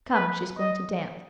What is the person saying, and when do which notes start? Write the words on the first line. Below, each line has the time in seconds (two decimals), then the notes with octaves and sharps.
Come, she's going to dance.
0.13 B4
0.58 D#5